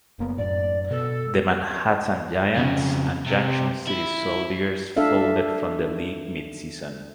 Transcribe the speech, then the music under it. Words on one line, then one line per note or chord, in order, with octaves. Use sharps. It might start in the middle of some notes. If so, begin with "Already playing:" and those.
The Manhattan Giants and Junction City Soldiers folded from the league mid–season.
F#1 A#3 B3
F#2 A2 D5
B2 A4
F2 C#3
C3
E4
D4 A4 E5 F5